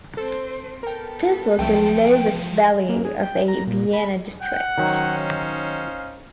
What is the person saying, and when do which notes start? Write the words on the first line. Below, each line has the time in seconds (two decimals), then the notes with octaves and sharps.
This was the lowest value of a Vienna district.
0.17 C4 A4 C5
0.83 B3 A4 A#4 G5
1.59 C2 F3 F#3 A3 G5
2.89 A#3
3.05 G#4
3.23 G5
3.48 A#5
3.67 A#2
3.93 B5
4.42 F#5 G5
4.78 D#3 F#3 C#4 D#4 C5
5.18 F5